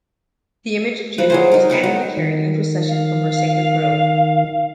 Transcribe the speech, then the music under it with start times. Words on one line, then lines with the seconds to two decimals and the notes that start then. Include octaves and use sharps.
The image of Juno was annually carried in procession from her sacred grove.
1.18 F3 B4 A#5
1.30 F#3 G#4 C5
1.52 D#4 A#4
1.70 B3 F#5 G5
1.83 F#3
2.17 D#3
2.88 F5